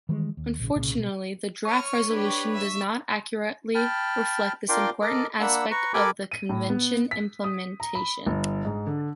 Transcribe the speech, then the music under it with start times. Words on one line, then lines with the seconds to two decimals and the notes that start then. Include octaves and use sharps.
Unfortunately, the draft resolution does not accurately reflect this important aspect of the Convention implementation.
0.09 D#3 E3 G3 G#3
0.37 D#2
0.60 A#1 C#3
0.76 C2 A#2 C#3
0.97 B2 G3
1.65 C#5 C#6 F6
2.10 D4 G4 B4 C#5 B5
2.54 E5
3.75 G5 A5 B5 F6
4.69 D4 F4 A#4 G5 C6 D6
5.01 A4 A#4 D#5 D6
5.40 A#3 D4 F#5 B5 E6
5.71 B4 A#5 C#6
5.94 G4 A4 A#4 G#5 B5 D6
6.31 D#7
6.49 A2
6.69 B3
7.11 B6
7.44 D#6
7.80 A#5
7.95 B5
8.26 G1
8.65 G#2
8.87 D3